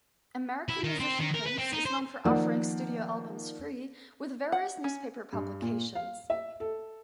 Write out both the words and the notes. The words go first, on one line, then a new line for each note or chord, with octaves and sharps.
American musician Prince is known for offering studio albums free with various newspaper publications.
E4
D#3
C4
D#3
A#4
B4
C4
D#4
C5
D#3 F3 A#3 D5 F#5
F#5
C#4
G2
A#2
F5
E5
A4